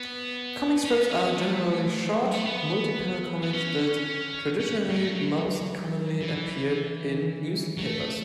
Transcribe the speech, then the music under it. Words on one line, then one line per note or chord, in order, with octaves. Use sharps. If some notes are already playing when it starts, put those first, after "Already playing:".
Comic strips are generally short, multipanel comics that traditionally most commonly appeared in newspapers.
Already playing: B3
C#4
B3
C#4
B3
A3
F#3
A3
B3
B3
C#4
C#4
F#3
A3
F#3
E3
F#3
A3